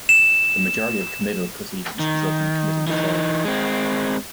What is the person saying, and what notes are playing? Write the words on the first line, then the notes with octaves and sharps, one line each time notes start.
The majority of committal proceedings result in a committal to trial.
E7
D#3
E3 D#4
G#3 C4